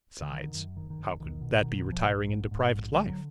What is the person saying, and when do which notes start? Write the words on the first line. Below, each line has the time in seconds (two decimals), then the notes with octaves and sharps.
Besides, how could that be retiring into private life?
0.22 D3
0.32 D3 D#3
0.54 F#2
0.76 F#1 D#3
0.90 D#3
0.98 F#1
1.05 D#3
1.20 B1 D#3
1.41 B2
1.63 B2 D#3
1.78 D#3
1.85 B1
1.92 F3
2.08 A#1
2.29 G#2
2.51 G#2
2.72 A#1
2.95 D3 G#3
3.09 F#3